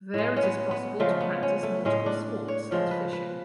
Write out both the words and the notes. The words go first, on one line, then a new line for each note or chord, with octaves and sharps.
There it is possible to practice nautical sports and fishing.
A2 G#3
C#4
B3
B3
C#3 F3 G#3 A3
B3
C#4
A3
A2 G#3 C#4
D4
C#5
C#3 F3 G#3
B4
B4